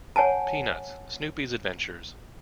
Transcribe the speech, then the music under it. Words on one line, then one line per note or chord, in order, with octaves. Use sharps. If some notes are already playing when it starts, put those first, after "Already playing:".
Peanuts: Snoopy's Adventures.
C#5 F#5 G#5 A5